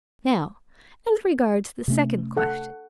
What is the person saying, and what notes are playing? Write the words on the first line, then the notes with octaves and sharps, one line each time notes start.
"Now as regards the second question."
C3 A3 C#4
A4 F#5